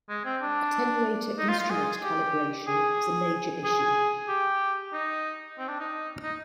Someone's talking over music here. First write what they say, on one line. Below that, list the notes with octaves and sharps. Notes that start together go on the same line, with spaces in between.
Attenuator instrument calibration is a major issue.
G#3
C4
D4
D#4
F4
F4
G#4
G4
G#4
G#4
G4
D#4
C4
D4
D#4
D#4